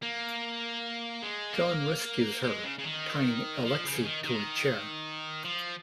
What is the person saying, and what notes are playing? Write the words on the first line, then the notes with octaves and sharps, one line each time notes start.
John rescues her, tying Alexei to a chair.
A#3
G#3
A#3
G#3
C#3
C#3
D#3
F3
C#3
D#3
D#3
F3